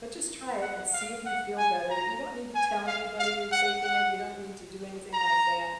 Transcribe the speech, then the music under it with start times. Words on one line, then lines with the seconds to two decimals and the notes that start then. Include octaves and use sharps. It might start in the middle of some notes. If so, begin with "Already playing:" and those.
But just try it and see if you feel better. You don't need to tell anybody you're taking it. You don't need to do anything like that,
0.61 F#5
0.93 F5
1.25 F#5
1.58 G#5
1.90 A#5
2.55 G#5
2.87 F5
3.19 F5
3.52 F#5
3.84 F#5
5.13 A#5